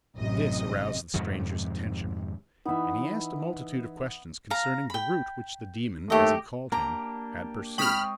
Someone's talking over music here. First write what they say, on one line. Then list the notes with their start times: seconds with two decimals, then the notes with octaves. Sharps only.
This aroused the stranger's attention, and he asked a multitude of questions concerning the route which the demon, as he called him, had pursued.
0.17 A1 F#2 C3 D#5
1.14 F2 G#2 C3 D#3
2.65 E3 B3 D#4 E5
4.50 F5 A#5
4.90 G5 B5
6.10 D#2 A3 G4 D#5
6.72 A#3 D4 G4 A5 A#5
7.78 G#3 C4 G5 B5 C#6 D#6 F6